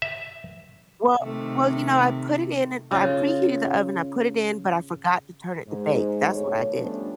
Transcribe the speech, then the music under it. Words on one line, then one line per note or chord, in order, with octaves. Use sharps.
Well well, you know, I put it in, and I preheated the oven I put it in, but I forgot to turn it to bake, that's what I did.
E5
C3 D#3 A3
C#3 F4
G#2
B2 D3 A3 C#5
F3 G3 A3 B3 C#4 D4